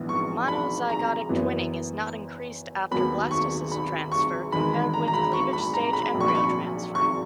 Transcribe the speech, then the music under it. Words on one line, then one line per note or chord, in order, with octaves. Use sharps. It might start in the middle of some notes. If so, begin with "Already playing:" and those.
Monozygotic twinning is not increased after blastocyst transfer compared with cleavage-stage embryo transfer.
Already playing: A#1 G#2 E3 B3
C#6
B5
A#5
F#1 F#2 E3 B3
D#2 D#3 F#3 B3 B5
C#6
B5
C#6
E2 D#3 G#3 B5
B5
A#5
A#5
B5
C#6
B5
A#5
B5
A#1 A#2 F#3
C#6
B5
C#6
C#6